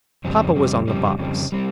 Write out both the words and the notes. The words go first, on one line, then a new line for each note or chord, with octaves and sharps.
Papa was on the box.
F2 C#3 G3 C4
F2 C#3 G3 C4
F2 C#3 G3 C4
F2 C#3 G3 C4
G3 C4